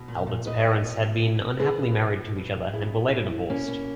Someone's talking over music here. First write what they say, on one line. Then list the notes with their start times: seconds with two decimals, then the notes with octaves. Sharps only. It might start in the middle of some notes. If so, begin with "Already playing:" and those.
Albert's parents had been unhappily married to each other and were later divorced.
Already playing: B2
0.08 A#2
0.27 A#2
0.46 A#2 B4 D#5
0.65 A#2
0.84 B2
1.02 B2
1.21 B2
1.40 B2
1.59 B2 G#4 B4
1.78 B2
1.97 A#2
2.17 A#2
2.36 B2
2.54 B2
2.73 B2 E4 G#4
2.93 B2
3.12 A#2
3.31 A#2
3.49 B2 A#3 C#4
3.68 B2